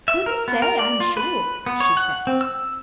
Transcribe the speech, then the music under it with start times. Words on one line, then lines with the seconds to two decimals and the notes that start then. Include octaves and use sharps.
"Couldn't say, I'm sure," she said.
0.08 E5
0.26 A#4
0.48 B3
0.62 A#4
0.79 D5
1.00 F4
1.17 B4
1.66 B3
1.80 C#5
1.97 F#5
2.27 C4
2.41 E6